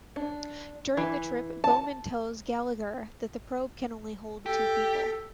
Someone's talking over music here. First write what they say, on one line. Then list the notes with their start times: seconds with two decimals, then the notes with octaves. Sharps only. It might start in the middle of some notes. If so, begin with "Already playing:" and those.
During the trip, Bowman tells Gallagher that the probe can hold only two people.
0.16 D4
0.97 E3
1.64 A5
4.46 G4 A4